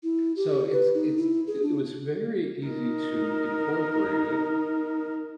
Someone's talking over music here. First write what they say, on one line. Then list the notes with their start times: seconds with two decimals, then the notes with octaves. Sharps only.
So, it's it's it it was very easy to incorporate it
0.03 E4
0.36 G4
0.72 B4
0.94 D#4
1.17 E4
1.47 G#4
1.62 D4
2.67 D#4 A#4